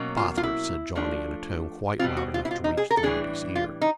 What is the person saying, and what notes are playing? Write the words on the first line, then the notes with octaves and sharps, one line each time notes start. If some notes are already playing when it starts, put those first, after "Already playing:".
"Bother!" said Johnny, in a tone quite loud enough to reach the lady's ear.
Already playing: B2 F#3 A#3 C#4
F4
F4
E4
F3 A3 D4
B2 G3 C4 F4
F#4
F4
E4
F4
D#4
G#4
A#4
A4
A2 E3 G3 A#3 D4 G#4
F4
D#4